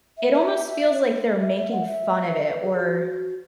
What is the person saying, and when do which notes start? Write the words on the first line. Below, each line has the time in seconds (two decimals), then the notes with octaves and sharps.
it almost feels like they're making fun of it, or
0.18 E5
0.33 E5
0.94 C#5
1.41 E5
1.56 E5
1.72 F#5
1.87 E5
2.48 B4
2.63 G#4
2.79 F#4